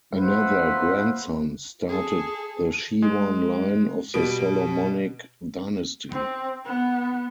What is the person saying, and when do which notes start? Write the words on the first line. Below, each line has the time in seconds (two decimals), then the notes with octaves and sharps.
Another grandson started the Shewan line of the Solomonic dynasty.
0.17 F4 B4 C5 E5 F#5
1.89 G#4 A4
3.02 G#3
4.14 B2 G3 B3 D7
6.11 C4
6.65 B3